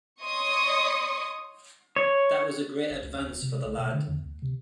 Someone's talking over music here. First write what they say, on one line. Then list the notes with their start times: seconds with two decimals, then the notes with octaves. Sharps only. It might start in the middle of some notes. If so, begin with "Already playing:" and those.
That was a great advance for the lad.
0.22 C#5 D#5 C6 C#6 D#6
1.96 C#5
2.90 G#1
3.03 C#2
3.14 D2
3.28 D#1
3.42 C3
3.65 B1
3.78 B2
3.93 D3
4.08 E2
4.24 D2
4.42 C3